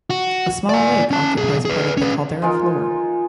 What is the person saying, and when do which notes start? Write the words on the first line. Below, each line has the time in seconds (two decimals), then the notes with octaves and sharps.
A small lake occupies part of the caldera floor.
0.10 F#4
0.69 D5 G#5
1.11 C#4 A5
1.37 B1 G#4
1.65 G#4 B4
1.97 C#4 B4
2.42 G#3 D#4 F4 A#4